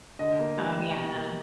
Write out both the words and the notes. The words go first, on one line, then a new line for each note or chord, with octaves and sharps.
Oh, yeah.
D3 D#5
A#3
G3
G3
B2
A#3